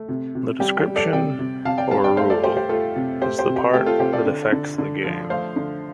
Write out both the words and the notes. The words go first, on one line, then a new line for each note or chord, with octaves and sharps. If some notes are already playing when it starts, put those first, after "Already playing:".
The description, or rule, is the part that affects the game.
Already playing: A3
C3
C3
G3 G4
G4
G3
A4 D5
C3 D5 G5
C3
C3 F5 A5
D5 G5
G3 F5 A5
D5 G5
A3 C5 F5
A4 D5
A3 G4 C5
G4 C5
A3 F4 A4
C3
A3 G4 C5
G4 C5
C3
G4
A3 G4
F4 A4
C3 G4 C5
A4 D5
D3
D3
D3
F3
A3 C5 F5
D3